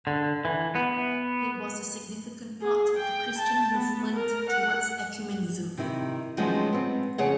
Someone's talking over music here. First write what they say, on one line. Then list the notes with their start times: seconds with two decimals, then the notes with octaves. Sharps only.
It was a significant part of the Christian movement towards Ecumenism.
0.07 D3
0.45 E3
0.75 B3
2.62 G#4
2.97 G5
3.38 A5
3.72 B3
4.12 A#4
4.49 F#5
5.77 C3 D#3 E4
6.37 D#3 F3 F#3 G#3 B3 C#4
6.73 B3 C4
7.18 F2 C#3 G#4 C#5 F#5